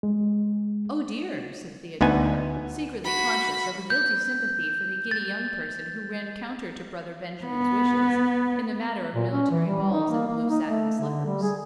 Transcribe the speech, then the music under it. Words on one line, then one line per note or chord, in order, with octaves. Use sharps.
"Oh, dear!" said Theodora, secretly conscious of a guilty sympathy for the giddy young person who ran counter to brother Benjamin's wishes, in the matter of military balls and blue-satin slippers.
G#3
D2 B3 D#4 G#5
F#4 B5
G6
A6
B3
A#2
C#4
E3
G3
D#4
A#3
A#3
D#4
A3
D3
G3
G#4